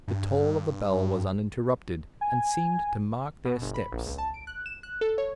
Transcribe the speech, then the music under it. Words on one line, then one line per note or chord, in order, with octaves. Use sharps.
The toll of the bell was uninterrupted, and seemed to mark their steps.
G2
G#5
B2
G1
B5
A#1
C#2
A5
D7
F#6
E7
F#6
A4
C#5